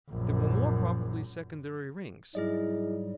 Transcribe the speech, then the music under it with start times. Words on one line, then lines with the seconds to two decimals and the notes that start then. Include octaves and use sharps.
They were more probably secondary rings.
0.11 A#1 F#2
2.35 G#2 F#3 G3 E4 G#4 D#5